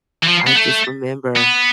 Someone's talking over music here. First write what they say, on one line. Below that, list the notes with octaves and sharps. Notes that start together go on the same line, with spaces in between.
I just remember
E3
F3
B3
A3
B3